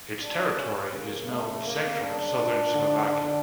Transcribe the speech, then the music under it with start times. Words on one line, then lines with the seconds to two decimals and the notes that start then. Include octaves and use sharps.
Its territory is now in central and southern Slovakia.
0.21 D4
0.57 C#4
0.93 C#3 A#3
1.29 A3
1.66 A#3
2.01 D4
2.37 A#2
2.74 D3
3.09 D3